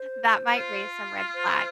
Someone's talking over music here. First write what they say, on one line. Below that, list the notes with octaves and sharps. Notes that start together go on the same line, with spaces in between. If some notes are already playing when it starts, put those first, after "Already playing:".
that might raise some red flags.
Already playing: C5
F4
C5